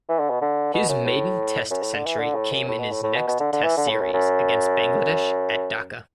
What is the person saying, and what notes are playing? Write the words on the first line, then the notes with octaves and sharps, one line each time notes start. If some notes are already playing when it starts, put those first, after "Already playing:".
His maiden Test century came in his next Test series against Bangladesh at Dhaka.
E3
D3
B2
D3
B2
F#2
A2
F#2
A2
D3
E3
D3
A2
F#2
A2
B2
A2
A2
B2
B2
D3
D3
E3
D3
A2
F#2
F#2